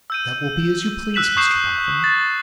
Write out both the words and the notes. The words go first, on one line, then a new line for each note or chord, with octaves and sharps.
'That will be as you please, Mr Boffin.
E6 G6 D#7
E6 F#6 B6 E7 F#7
C#6 D#6 G6 C7 E7
A6